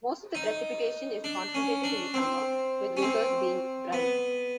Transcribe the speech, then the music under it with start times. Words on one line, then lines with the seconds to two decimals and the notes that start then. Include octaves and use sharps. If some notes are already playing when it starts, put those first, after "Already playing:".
Most of the precipitation is concentrated in the summer, with winters being dry.
0.35 D#4
1.24 D4
1.55 C#4
1.84 D4
2.14 C4
2.97 C#4
3.02 C4
3.93 B3